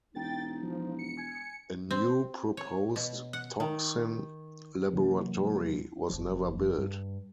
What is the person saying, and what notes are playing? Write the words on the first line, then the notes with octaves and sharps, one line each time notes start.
A new proposed toxin laboratory was never built.
E1 D#4 G5 A6
F3
C#7
G#5
C4
C#5
B2
F#5
D#3
C3 E3 F#3 A#3
F#1 F3
G2